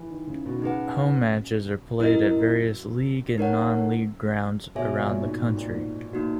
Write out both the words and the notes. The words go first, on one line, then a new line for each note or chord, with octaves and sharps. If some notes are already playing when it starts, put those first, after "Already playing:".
Home matches are played at various League and non-league grounds around the country.
Already playing: E3
D#3
C#3
B2
D#3
C#3 D#4 G#4 B4 F#5
F#2 E4 A#4 D#5
D#4 A#4 C#5 F#5
B2 G#4 C#5 E5 G#5
A#2
G#2
G#2
A#2
G#2
A#3 D#4 F#4